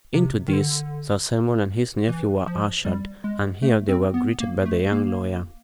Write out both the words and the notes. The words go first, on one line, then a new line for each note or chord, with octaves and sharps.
Into this Sir Simon and his nephew were ushered, and here they were greeted by the young lawyer.
C3
D#3
D3
E3
F3
G3
G#3
A3
C4
B3
A#3
A#3
A3
A#3